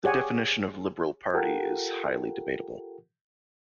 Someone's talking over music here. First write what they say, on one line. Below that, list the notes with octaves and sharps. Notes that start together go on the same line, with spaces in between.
The definition of liberal party is highly debatable.
G4 G#4 C#5 D5 F#5 G#5
F4 G4 A4 A#4 F#5 G5